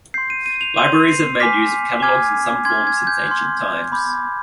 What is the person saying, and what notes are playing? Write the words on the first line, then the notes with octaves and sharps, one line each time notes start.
Libraries have made use of catalogs in some form since ancient times.
C6 G6 C7
D#7
D#7
F7
C6 G6 D#7
C7
G#5 D6 F6 B6
G#5 D6 F6 G#6
C6 F6 G#6
G#6
G6
C6 F6
B5 D6 G6